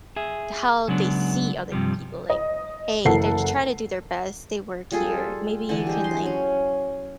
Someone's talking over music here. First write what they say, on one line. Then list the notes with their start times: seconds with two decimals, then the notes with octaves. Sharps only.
how they see other people, like, "Hey, they're trying to do their best, they work here, maybe you can, like,
0.16 G#4 E5
0.88 C#3 F#3 G#3 B3 D4
1.72 G2 C3 F3 G3
2.30 D#5
3.05 F#1 E3 A4 A#4 F#5 C7
4.92 G3 F4 G#4 A4
5.69 D3 E3 D4
5.87 G#3 G4
6.04 C6
6.23 F#3 C#4